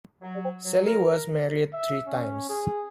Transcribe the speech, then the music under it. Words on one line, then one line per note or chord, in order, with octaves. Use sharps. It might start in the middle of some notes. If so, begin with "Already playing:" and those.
Celi was married three times.
F#3
F#3
A#4
E5
C#4
G#4